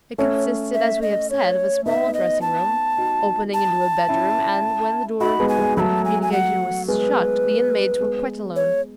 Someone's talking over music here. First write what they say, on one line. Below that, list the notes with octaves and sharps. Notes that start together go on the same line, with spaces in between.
It consisted, as we have said, of a small dressing-room, opening into a bedroom, and, when the door of communication was shut, the inmates were quite alone.
A3 C#4 C#5
E5
D#5
C#5
B3 D#4 E5
D#5
A5
D#4 F#4
A5
C#4 E4
D#4 F#4 B5
G#3 B3
G#5
G#3
F#3 A3 A5 B5
G#5
G#5
F#5
G#3 B3 B4
G#3 B3
C#5